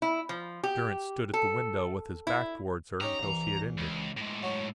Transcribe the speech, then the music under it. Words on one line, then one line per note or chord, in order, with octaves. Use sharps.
Durrance stood at the window with his back towards her until she had ended.
E4
F3
G4
A4
E4
C#4 D#4 G4 A#5
C2 E3
C#2
A2 G#3
F#3 F#4